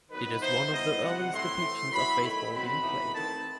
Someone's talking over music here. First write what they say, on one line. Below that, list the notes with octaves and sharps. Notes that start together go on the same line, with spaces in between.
It is one of the earliest depictions of baseball being played.
D#3 F#3 B3 D#4 B4
E3 B3 D#4 C5
E3 G3 B3 D#4 D#5
C3 D#3 G3 F#5
A2 F#3 C4 E4 C6
E3 A3 C4
F#3 B3 E4 B5
D#3 A3 E4 B5
B2 F#3 C4 B5
E3 B3 D#4
D#3 A3 C4 D#4 A5